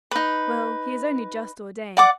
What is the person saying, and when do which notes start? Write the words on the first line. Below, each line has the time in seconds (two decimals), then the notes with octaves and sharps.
Well, he is only just ordained.
0.11 D#4 B4
1.97 D5 F#5 D6